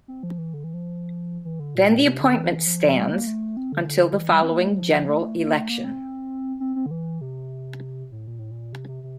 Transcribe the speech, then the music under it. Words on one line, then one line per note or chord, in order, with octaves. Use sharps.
Then the appointment stands until the following general election.
C4
F3
E3
D3
E3
F3
E3
D3
A#2
A#2
C3
D3
E3
F3
G3
A#3
A3
C4
D3
D3
D3
E3
G3
C4
A#3
A3
G3
F3
F3
A3
A3
A3
A#3
A3
A#3
C4
C4
C4
D3
E3
C3
A2
A#2
A2
A#2
C3
C3
C3